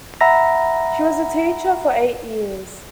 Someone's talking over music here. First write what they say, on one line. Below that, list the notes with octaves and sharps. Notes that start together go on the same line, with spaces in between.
She was a teacher for eight years.
E5 F#5 A#5 B5 A#6